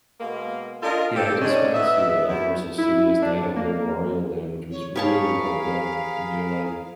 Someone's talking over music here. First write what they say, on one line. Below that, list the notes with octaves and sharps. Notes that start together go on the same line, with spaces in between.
Yeah, I just went to, uh, Universal Studios, and they had a whole Mario Land, which was really well done, and you're, like
B2 G#3 A#3
D4 F4 A#4 D#5
G4 A4
G#2 C#4 D4 D5 D#5
B3 D#5 E5
E2 E4
E4
D4
A#3
C#5
G4 G#4 A#4 C#5 F5 A5 B5